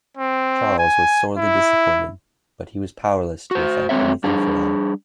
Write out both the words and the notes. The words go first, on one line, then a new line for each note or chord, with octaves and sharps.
Charles was sorely disappointed, but he was powerless to effect anything further.
C4
G#5
E4
F#4 C5
G#3 A3 C4 C#5 E5
G3 D4 G#4